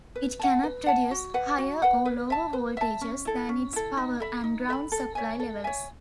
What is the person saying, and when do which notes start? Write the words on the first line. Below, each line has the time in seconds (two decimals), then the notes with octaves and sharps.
It cannot produce higher or lower voltages than its power and ground supply levels.
0.15 B4
0.40 F#5 A5
0.63 B4
0.86 F#5 A5
1.11 F#4
1.34 B4 F#5
1.58 F#4
1.82 B4 F#5
2.05 B4
2.30 E5 A5
2.53 B4
2.77 E5 A5
3.01 C#4
3.25 E4 A4
3.49 C#4
3.73 E4 A4
3.97 D#4
4.20 A4 E5 B5
4.44 D#4
4.68 A4 E5
4.73 B5
4.92 A4
5.15 C#5 E5 G#5
5.40 A4
5.64 C#5 E5 G#5